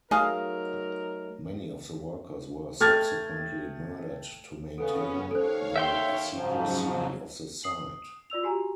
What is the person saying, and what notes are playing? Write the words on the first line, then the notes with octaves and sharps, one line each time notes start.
Many of the workers were subsequently murdered to maintain the secrecy of the site.
F#3 A3 D#4 G#4 A#4 D#5 F5
A3 G5 F6 G#6 A6
C#3 B3 C#4 A4
D#2 A4 C5 C#5 F5
E5 G5 C6
G#2 C#3 F3 F#3
D#6 C7 F#7
F4 D5 E6 F7
F#4 G4 G#5 A#5